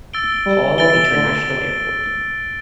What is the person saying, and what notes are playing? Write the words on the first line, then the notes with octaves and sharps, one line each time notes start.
Paul International Airport.
E6 A6 D7 G7
G3
E3 A6 D7 G7
D3